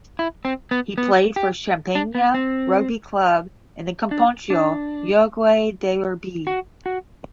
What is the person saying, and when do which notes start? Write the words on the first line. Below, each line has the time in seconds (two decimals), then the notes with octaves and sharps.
He played for Champagnat Rugby Club in the Campeonato Uruguayo de Rugby.
0.19 E4
0.45 C4
0.71 B3
0.98 B3
1.36 G4
1.95 D4
2.15 B3
2.34 C4
4.11 D4
4.50 D4
6.47 F#4
6.86 F#4